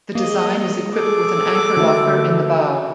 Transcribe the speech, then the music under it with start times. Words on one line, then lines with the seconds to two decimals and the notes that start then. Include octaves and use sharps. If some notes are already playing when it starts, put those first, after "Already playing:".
The design is equipped with an anchor locker in the bow.
0.15 A#3 G#4 D#5
0.95 G#4 A4 D6
1.77 D3 A3 F#4 E5